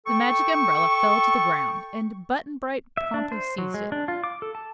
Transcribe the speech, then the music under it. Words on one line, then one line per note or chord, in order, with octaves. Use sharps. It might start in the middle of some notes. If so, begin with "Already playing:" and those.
The Magic Umbrella fell to the ground and Button-Bright promptly seized it.
A4 G5 C#6
E5
D4
C5
F#3
G#3
D4
F4
D6
A4
A5